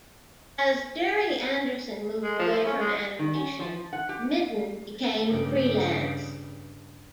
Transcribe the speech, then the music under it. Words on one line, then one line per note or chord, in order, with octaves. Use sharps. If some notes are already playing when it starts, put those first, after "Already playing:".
As Gerry Anderson moved away from animation, Mitton became freelance.
G#3
F3
E4
C#4
G#3
D#3
C#4
F3
F#5
G4
G2 C#3